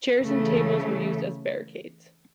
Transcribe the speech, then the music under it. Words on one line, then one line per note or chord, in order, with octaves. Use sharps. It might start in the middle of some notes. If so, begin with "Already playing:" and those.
Chairs and tables were used as barricades.
C#3 E3 A3